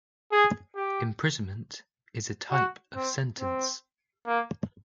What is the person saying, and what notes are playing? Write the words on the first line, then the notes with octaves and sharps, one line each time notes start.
Imprisonment is a type of sentence.
G#4
G4
F#4
C4
C4
A#3